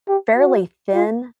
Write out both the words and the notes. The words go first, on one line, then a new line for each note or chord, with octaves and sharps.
fairly thin
G4
F#4
F4